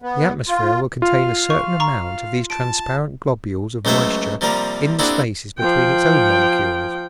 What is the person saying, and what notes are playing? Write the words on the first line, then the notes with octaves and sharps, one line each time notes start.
The atmosphere will contain a certain amount of these transparent globules of moisture in the spaces between its own molecules.
B3
F4
F4 F5
C#6
A#5 C#6
A5 D7
C#2 F#3 A3 C5 C#5 E5
C3 F3 G3 A#3 A#4
A#3 C4 D4 E4 F#4 G#4
F3 G5